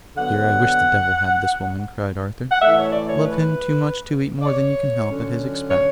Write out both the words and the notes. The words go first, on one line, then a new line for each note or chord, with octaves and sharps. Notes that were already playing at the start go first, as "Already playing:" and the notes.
'Oh, dear, I wish the devil had this woman!' cried Arthur: 'love him too much to eat more than you can help at his expense.'
D3 F#3 B3 F#5
F#5
A2 E3 A3 E5
C#5
D5
C#5
B4
D5
C#5
D3 F#3 C#4
C#5